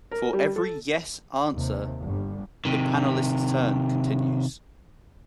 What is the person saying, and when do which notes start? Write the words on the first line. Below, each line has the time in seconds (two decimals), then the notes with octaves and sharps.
For every "yes" answer, the panelist's turn continues.
0.11 A#4
0.33 G3
0.56 A4
1.54 D#2 C3
2.00 G1 G3
2.65 C3 D#3